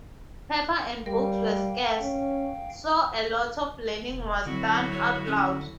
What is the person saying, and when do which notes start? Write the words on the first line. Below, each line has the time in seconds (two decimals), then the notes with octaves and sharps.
Paper and books were scarce, so a lot of learning was done out loud.
1.06 G3 A#4 F5 G5
2.01 C#4
4.09 E1
4.46 D3 F#3 C4 E4 F#4
4.91 C#5
5.26 C#4